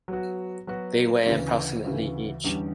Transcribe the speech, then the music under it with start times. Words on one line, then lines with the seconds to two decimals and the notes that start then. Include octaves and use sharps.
They weigh approximately each.
0.08 F#3 B3 F#4
0.67 F#3 B3 F#4
1.26 D2 C#3 E3
1.85 D2 C#3 E3
2.44 E2 D3 G3 C#4 G4